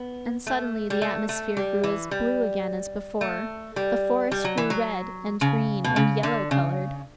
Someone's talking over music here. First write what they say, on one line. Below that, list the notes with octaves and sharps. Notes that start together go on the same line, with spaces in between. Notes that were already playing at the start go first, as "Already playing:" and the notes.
And suddenly the atmosphere grew as blue again as before; the forest grew red, and green, and yellow-colored.
Already playing: B3
A3
G3
A3
A3
G3
E3
G3
A3
G3
G3
F#3
E3
F#3
C#3
B2
C#3
D3
C#3